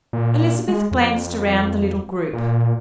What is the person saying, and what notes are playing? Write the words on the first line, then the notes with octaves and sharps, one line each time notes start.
Elizabeth glanced around the little group.
A#2
G#3
F2
A#2